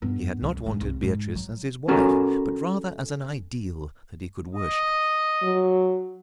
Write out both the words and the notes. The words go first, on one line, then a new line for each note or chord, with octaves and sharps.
He had not wanted Beatrice as his wife, but rather as an ideal that he could worship.
G2 B3
C#2 F#2
G#2 D4
C2
G#2
F#3
C#4 F#4 A4 A#4
D#5
F#3